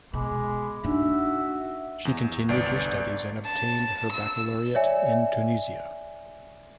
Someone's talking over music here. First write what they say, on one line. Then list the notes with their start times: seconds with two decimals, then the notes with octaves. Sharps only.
She continued her studies and obtained her baccalaureate in Tunisia.
0.13 B2 G#3 B5 D6
0.84 D4 D#4 F#4 E5
2.05 E2
2.49 G1 C2 D5 A6 D7
3.46 A5
4.14 E6
4.75 C#5 D5 E5 G#5